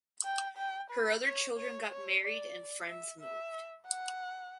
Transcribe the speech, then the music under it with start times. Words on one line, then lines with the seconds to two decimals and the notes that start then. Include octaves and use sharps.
Her other children got married and friends moved.
0.24 G5
0.57 G5
0.90 B4
1.23 C#5
1.56 C#5
1.89 C#5
2.22 D5
2.88 E5
3.21 E5
3.87 F#5